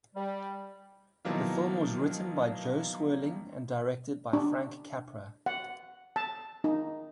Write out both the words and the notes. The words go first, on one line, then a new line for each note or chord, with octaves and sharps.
The film was written by Jo Swerling and directed by Frank Capra.
G3
B2 D#3 F3 F#3 A#3 E4
D4
F#5
A5
D#4